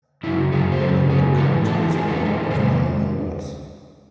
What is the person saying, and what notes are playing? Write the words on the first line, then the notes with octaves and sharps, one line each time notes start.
The local council is made up of nine members.
F#2 C#3 F#3 E4
F#2 C#3 F#3 G#4
C5
F#2 C#3 F#3 A4
F#2 C#3 F#3 G#4
G#2 E3 G#3 A4
G#2 E3 G#3 A4
G#2 E3 G#3 G#4
A4
G#2 E3 G#3
C3 D#3 G#3 C5